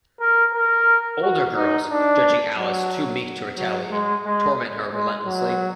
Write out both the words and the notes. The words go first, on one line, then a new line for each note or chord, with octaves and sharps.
Older girls, judging Alice too meek to retaliate, torment her relentlessly.
A#4
A#4
F#4
D#4
D4
F#3
F#3
G#3
G#3
G#3
F#3